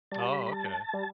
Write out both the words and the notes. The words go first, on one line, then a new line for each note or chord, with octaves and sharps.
Oh, okay.
G3 A5
B5
B5
A5
G3